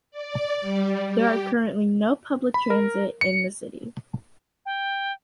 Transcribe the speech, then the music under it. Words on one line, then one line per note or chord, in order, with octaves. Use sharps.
There are currently no public transit in the city.
D5
G3
G4
B5
A#4
C#7
G5